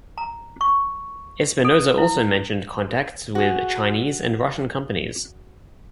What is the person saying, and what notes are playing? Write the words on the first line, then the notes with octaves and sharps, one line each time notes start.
Espinoza also mentioned contacts with Chinese and Russian companies.
A#5
C#6
A4
E4
F#4 G#4